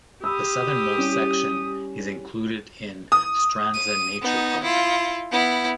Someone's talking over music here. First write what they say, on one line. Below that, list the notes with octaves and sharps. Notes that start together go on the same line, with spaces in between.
The southernmost section is included in Strandzha Nature Park.
G4 B5 D#6 E6
G3 C#4 E4
D#6
D#7
B3 D#4
E4 F4
B3 E4